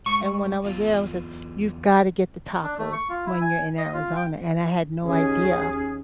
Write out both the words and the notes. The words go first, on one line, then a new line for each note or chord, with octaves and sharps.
and when I was there, it was just, "You've got to get the tacos when you're in Arizona," and I had no idea
G#2 C#6
E2 F4
D4
A3
C#6
F4
E4
G#5
D#5
F4
G5
D#2 C#4 G#4